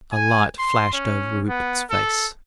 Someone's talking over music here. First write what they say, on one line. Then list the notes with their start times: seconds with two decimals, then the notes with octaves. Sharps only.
A light flashed over Rupert's face.
0.12 G#5
0.58 C6
0.93 C#4
1.48 B3
1.90 A4